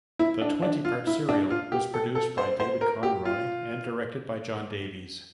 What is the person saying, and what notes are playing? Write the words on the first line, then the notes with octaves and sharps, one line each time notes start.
The twenty-part serial was produced by David Conroy and directed by John Davies.
E4
D4
D4
F4
E4
D4
F4
G4
A4
A4
C5
C5
A#4
G4
F4